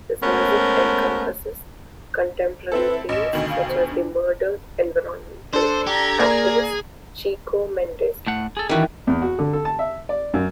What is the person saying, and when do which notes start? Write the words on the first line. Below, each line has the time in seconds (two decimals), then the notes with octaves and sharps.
His music encompasses contemporary themes such as the murdered environmental activist, Chico Mendes.
0.22 G#3 A3 B3 C#4 A#4 C5
2.72 C4 E4 A4 B4
3.09 A1 D#5 E7
3.33 D2 B2 D#3
3.50 F5
3.68 C5
3.91 D4
5.53 D4 A4 C5
5.87 G4 A#5 G#6
6.20 A#3 G#4 D5
8.27 A2 A3 F#5
8.57 G#4 A4
8.69 D#3 E3 G3 C#4 F#4
9.07 E2
9.22 F#4
9.39 D3
9.53 A4
9.65 A5
9.79 E5
10.09 D5
10.34 F#2